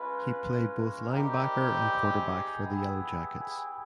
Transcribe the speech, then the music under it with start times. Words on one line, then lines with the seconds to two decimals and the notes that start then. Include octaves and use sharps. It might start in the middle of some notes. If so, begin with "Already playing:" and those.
He played both linebacker and quarterback for the Yellowjackets.
Already playing: G#3 C#4 F4 B4
1.09 G3 C4 D#4 G4 A#4
1.85 G#4
2.61 B3 E4 G4
3.36 G#4